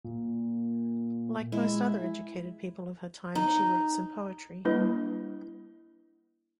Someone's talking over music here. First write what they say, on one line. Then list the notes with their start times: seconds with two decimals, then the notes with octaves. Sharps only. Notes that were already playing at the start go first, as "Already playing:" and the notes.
Like most other educated people of her time, she wrote some poetry.
0.04 A#2
1.52 G#3 E4
3.35 D#4
4.65 G3 A#3 D4 E4 B4